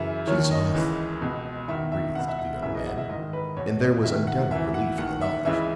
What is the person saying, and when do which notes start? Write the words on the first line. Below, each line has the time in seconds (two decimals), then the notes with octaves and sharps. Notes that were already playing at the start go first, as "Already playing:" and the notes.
"She's off," breathed the young man, and there was undoubted relief in the knowledge.
Already playing: F#2 C#3 E3 E5
0.27 D#2 D#3 C#5
0.51 D#5
0.74 C#2 C#3 E3
1.21 C#2 B2
1.68 E2 D#3 E5
1.92 E5
2.15 C#2 B2 F#5
2.28 E5
2.39 F#5
2.62 F#2 C#3 E3 E5
2.75 D#5
2.86 F#5
2.98 E5
3.09 G#2 D#3 D#5
3.33 B4
3.57 E2 B2 C#5
3.80 D#5
4.04 D#2 D#3 E5
4.27 F#5
4.51 F#2 E3 E5
4.74 F#5
4.98 D#2 D#3 F#5
5.21 E5
5.45 C#2 C#3 E3 E5